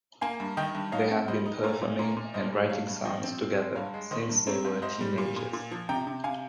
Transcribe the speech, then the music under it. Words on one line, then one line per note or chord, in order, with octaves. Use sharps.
They have been performing and writing songs together since they were teenagers.
A#3 F5 G#5
G2
D#3 D#5 G5
G2
D#4 C#5 F5
C4
G3 C5 D#5
D#4
A#2 A#4 C#5
A#2
A#2 A#4 C#5
A#2
G2 C5 D#5
G3
G2 C#5 F5
G2
F3 D#5 G5
C4
C4
G#3
G2 C#5 F5
G#3
D#3 C5 D#5
G2
C4 A#4 C#5
G#2
G#2 C5 D#5
G3
A#2
A#2
A#2
F3
C3 G5 A#5
C3
C3 F5 G#5